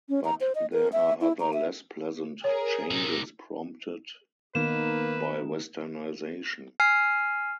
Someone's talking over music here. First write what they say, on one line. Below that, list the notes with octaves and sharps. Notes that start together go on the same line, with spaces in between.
But there are other less pleasant changes prompted by westernization.
C#4
A#5
C5
D#5
A#4
E5
E4
A#5
E5
G#4 A#4 C#5
C3 D#4
D#3 A#3 B3 D#4 B4 E7
G#5 F6 C7